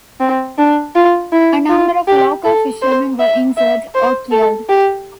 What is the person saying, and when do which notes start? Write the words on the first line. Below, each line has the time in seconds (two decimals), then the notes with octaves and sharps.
A number of local fisherman were injured or killed.
0.20 C4
0.58 D4
0.95 F4
1.32 E4
1.70 F4
2.08 G4
2.45 A4
2.82 C5
3.19 E5
3.57 E5
3.95 C5
4.31 A4
4.69 G4